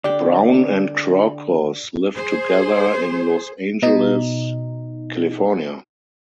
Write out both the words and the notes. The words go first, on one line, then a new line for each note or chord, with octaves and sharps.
Brown and Crokos lived together in Los Angeles, California.
D3 G4 D5
G#4 C5
B2 D#4